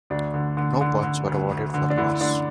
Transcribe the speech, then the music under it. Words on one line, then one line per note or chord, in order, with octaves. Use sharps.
No points were awarded for a loss.
D2 D4
D3
D3
D3
D3
D2
D2
D3
D4
D3 E4
D3 D4